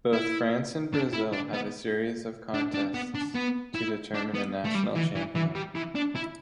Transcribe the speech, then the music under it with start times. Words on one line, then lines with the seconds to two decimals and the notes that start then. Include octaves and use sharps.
Both France and Brazil have a series of contests to determine a national champion.
0.13 E4
0.94 D4
1.13 E4
1.33 D4
1.54 B3
2.54 D4
2.74 D4
2.94 B3
3.14 D4
3.35 B3
3.75 E4
4.15 D4
4.35 B3
4.65 A3
4.75 G3
4.95 E3
5.15 E3
5.35 E3
5.55 G3
5.75 E3
5.95 D4
6.16 E4